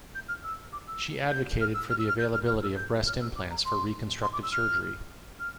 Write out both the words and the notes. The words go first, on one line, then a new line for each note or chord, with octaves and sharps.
She advocated for the availability of breast implants for reconstructive surgery.
G6
F6
E6
D6
E6
G6
F6
E6
F6
E6
F6
G6
F6
F6
E6
G6
F6
E6
D6
A#5
C6
C6
D6
E6
F6
F6